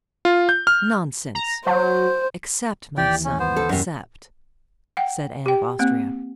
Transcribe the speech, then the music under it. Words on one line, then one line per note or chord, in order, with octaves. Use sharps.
"Nonsense! accept, my son, accept," said Anne of Austria.
F4
G6
F6
A#5
F#3 C5
D#2 E3 G4 D5 G5
C#4
B3 C5
A4
F#2 C3
F#5 G5
G4 G5
A#3 C4